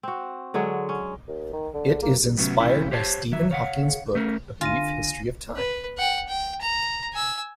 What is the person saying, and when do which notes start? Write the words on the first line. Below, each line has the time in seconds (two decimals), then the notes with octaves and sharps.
It is inspired by Stephen Hawking's book "A Brief History of Time".
0.03 C4 F#4
0.54 D3 F#3 G#3 C#5
0.89 C#4
1.28 D#2
1.53 D#3
1.74 D3
2.03 A#3
2.37 A2 C3 F#3 B3 C#4
2.60 B1 E2 C3 C#4 E4
2.91 G4 C5 C#5 F#5 A5
3.32 D#3 F#3 E5
3.51 C#5 F5 F#5
4.15 A3 C#4 A#4
4.61 D3 F4 G#5 A#6 D#7
5.56 B4
5.97 F#5 G5
6.28 G5
6.61 A#5
7.13 G#5 E6